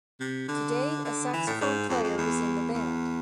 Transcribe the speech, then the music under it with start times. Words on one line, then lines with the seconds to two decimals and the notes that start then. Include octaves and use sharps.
Today a saxophone player is in the band.
0.20 C3
0.48 D3
1.05 D3
1.33 E3
1.47 A2
1.61 G#2
1.89 F2
2.04 F2
2.17 E2
2.74 E2